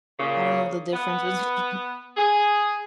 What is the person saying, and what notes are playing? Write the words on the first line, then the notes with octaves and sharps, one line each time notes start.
I don't know the difference between
A#2 C#3
B3
G#4